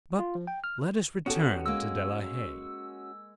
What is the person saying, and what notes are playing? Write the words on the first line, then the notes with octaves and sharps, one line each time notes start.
But let us return to De la Haye.
F4
F3
G5
F6
B3 C#4 F#4 G4 A4
G#3 A#3 E6